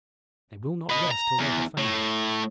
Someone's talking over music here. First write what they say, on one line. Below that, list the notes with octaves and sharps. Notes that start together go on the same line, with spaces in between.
They will not rest till they have found me.
B4 D#5
A#5
E2
A2